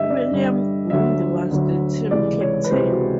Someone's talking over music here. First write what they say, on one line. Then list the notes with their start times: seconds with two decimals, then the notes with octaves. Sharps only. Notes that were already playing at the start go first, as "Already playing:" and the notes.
William Gundy was the team captain.
Already playing: G2 D3 G3 D#5 E5
0.10 D5
0.30 G2 D3 G3
0.90 D2 D3 F#3 E5
1.50 D2 D3 F#3
2.11 C#2 C3 E3 G#3 D5
2.41 C#5
2.64 B4
2.71 C#2 C3 E3 G#3 C5
2.90 F#4